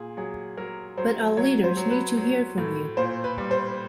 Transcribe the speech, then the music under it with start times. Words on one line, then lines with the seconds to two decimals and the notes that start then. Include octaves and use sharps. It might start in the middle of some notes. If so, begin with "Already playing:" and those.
But our leaders need to hear from you.
Already playing: A#2 G#4
0.17 F#3 G#4
0.57 F#3 A#4
0.97 F#3 C5
1.37 F#3 C#5
1.64 C5
1.77 F#3
1.90 B4
2.17 F#3
2.58 A2
2.97 A#2 C5
3.24 B4
3.38 G3
3.51 C5